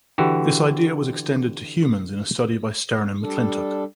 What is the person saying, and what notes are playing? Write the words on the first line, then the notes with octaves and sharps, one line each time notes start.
This idea was extended to humans in a study by Stern and McClintock.
D3 E3 F#4 G4
G3 D4 A4